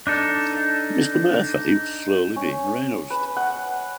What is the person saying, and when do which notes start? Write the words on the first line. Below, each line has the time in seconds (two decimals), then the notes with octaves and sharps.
Mr. Murphy was slowly being roused.
0.07 D4 D#4 A4
2.36 C#4
3.10 B4
3.37 F#5